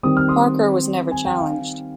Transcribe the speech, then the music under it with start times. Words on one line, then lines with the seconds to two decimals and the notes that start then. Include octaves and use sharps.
Parker was never challenged.
0.03 D#3 G3 C4 D#6
0.17 F6
0.28 C6 D#6
1.11 G#5
1.25 G5
1.39 F5 G#5